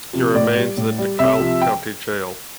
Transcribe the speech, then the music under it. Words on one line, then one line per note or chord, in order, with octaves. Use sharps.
He remains in the DeKalb County jail.
C3 F3
A2 D5
G3
A2
G3
C2 E5
C3 F3
G5